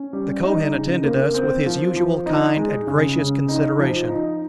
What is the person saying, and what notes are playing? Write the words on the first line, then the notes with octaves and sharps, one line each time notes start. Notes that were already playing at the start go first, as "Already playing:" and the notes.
The Kohen attended us with his usual kind and gracious consideration.
Already playing: C#4
G3
D#4
C#3
A#3
C4
F3
F3
D#4
G#3
C#3
C#3
D#4
F3
D#4